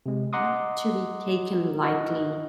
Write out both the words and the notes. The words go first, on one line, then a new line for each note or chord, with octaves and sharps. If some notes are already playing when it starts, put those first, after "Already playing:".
Not to be taken lightly.
C3 G#3
D#5 F#5 A#5 C6 D6 D#6
E4 F#4 A#4 D#5